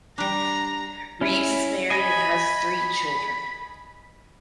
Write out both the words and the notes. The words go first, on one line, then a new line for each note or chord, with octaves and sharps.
Reeves is married and has three children.
G3 D4 A#5
C#4 E4
D#5 G#5 B5